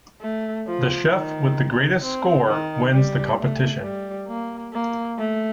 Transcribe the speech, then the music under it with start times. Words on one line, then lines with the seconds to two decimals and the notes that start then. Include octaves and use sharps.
The chef with the greatest score wins the competition.
0.22 A3
0.66 F3
1.13 D#3
2.02 C4
2.47 D#3
2.93 G3
3.38 A3
3.83 G3
4.28 A#3
4.73 A#3
5.18 A3